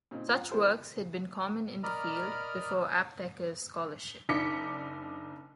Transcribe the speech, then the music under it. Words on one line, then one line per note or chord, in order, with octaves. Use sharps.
Such works had been common in the field before Aptheker's scholarship.
A#2 C#3 C4 D#4
F4 A#5
B3 E4 G4 G#4 A#4 C5
A#4 D5 D#5 A#5 B5 F6
F#1 D4 D#4 D6 B6 C#7